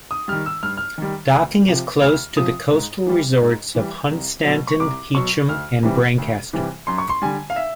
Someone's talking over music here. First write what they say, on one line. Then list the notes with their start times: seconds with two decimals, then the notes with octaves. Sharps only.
Docking is close to the coastal resorts of Hunstanton, Heacham and Brancaster.
0.11 D#6
0.28 D#3 G3 F6
0.46 E6
0.63 G2 F6
0.77 F6
0.98 D#3 G3
1.33 D2
1.68 C3 F3
2.02 D2 F6
2.37 C3 F3 D#6
2.71 G#2
3.07 E3 G3
3.40 G#2
3.75 E3 G3
4.10 C2
4.44 B2 F#3
4.67 C#6
4.80 C2 D6
5.14 B2 F#3 C#6
5.48 D2 F6
5.83 C3 E3 G3
6.18 D2
6.53 C3 E3 G3
6.87 F#2 C6
6.98 C#6
7.09 C6
7.22 D3 G3 G#5
7.50 F5
7.56 E5